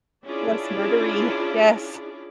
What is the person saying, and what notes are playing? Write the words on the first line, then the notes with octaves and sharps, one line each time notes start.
Less murdery. Yes.
C#4 D4 E4 F4 G#4 D5